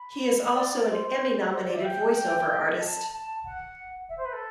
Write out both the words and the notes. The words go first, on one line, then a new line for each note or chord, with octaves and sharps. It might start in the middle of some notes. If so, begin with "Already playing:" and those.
He is also an Emmy nominated voice over artist.
Already playing: B5
D5
C5
C5
D5
E5
G5
G5
A5
A5
F#5
E5
C5
B4
A4